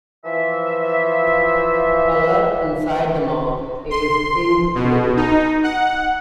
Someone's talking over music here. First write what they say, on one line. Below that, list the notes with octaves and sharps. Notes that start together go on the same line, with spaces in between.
Color inside the mouth is ink-blue.
E3 F3 E5
C6
B2
D#4
F#5